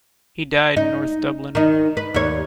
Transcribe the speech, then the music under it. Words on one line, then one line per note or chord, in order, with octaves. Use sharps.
He died in north Dublin.
D#4
D#3 D#4
B4
D#2 C#5